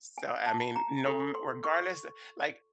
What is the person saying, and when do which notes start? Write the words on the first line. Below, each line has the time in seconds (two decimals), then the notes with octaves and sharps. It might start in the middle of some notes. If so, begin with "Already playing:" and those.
So, I mean, you kno m regardless, like,
0.18 G#5
0.46 A5
0.76 A#5
1.05 F4 A4 C#5 B5
1.35 C6
1.64 C#6